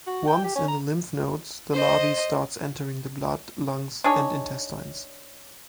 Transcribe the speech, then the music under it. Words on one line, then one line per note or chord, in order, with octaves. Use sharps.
Once in the lymph nodes, the larvae starts entering the blood, lungs, and intestines.
F#4
G5
G4
C#4
A#5
C5 D#5
D4 D#4 G#4 C#5